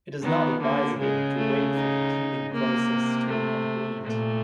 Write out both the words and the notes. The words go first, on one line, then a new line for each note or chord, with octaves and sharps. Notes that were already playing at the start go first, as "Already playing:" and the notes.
It is not advisable to wait for the teething process to be complete.
D#3 B3
D3 A#3
C#3 G#3
A3
D#4
C3 A#3
A3
A#2 A3